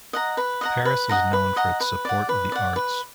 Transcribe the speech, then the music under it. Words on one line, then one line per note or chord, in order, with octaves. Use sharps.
Paris is known for its support of the arts.
D#5 F#5 A#5
B4
D#5 F#5 A#5
B4
D#5 F#5 A#5
B4
D#5 F#5 A#5
B4
D5 F#5
B4
D5 F#5
B4